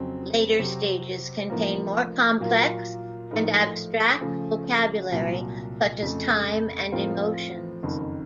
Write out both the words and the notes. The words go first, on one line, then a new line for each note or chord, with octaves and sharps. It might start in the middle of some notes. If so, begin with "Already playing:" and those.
Later stages contain more complex and abstract vocabulary such as time and emotions.
Already playing: F2 C#3 F#3 C4
C3 F#3 C4 F#4
A1 A2 F3 A#3
A#2 F#3 A#3 F4 A#4
A2 F3 A3 D#4 A#4
C#3 F3 A3
C2 A#2 F#3
F2 C#3 A3
A2 F3 C4 F4 A#4
F#1 F2 D#3